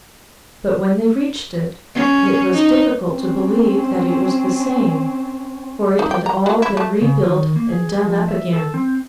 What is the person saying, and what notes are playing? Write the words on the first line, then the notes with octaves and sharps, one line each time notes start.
But when they reached it, it was difficult to believe that it was the same, for it had all been rebuilt and done up again.
C#4
D#4
C4 C#4
D#4
G5
A#5
F#3
E4
A3
C#3
D#3
A#3
G#4
F3
E5
A4
C4